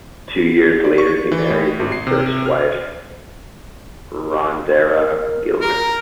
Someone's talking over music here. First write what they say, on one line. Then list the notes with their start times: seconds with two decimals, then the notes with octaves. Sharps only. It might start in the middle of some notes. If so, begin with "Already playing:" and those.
Two years later he married his first wife, Rhandera Gilman.
0.84 D5
0.98 C#6
1.32 E3
1.50 A2
1.80 G#1
1.92 C7
2.07 C3
2.46 F6
4.82 A#4
5.61 A#4 A#5